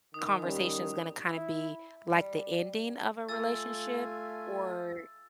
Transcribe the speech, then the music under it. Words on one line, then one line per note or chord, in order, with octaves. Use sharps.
conversation is gonna kinda be, like, the ending of a relationship or
D#3 D#6
G3 C#4
E4
G3
A3 F4 G#5 E6 A6